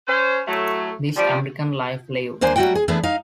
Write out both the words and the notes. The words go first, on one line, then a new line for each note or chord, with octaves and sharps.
This American Life Live!
C#4 C5
A2 F#3 A3
F3 G3
D#2 A#3 D4 C5 G#5
F#3 G3 A3 F#4 F#5 G5
G#4
E3 A3 B3 D4 G#4 B4
D#4 F5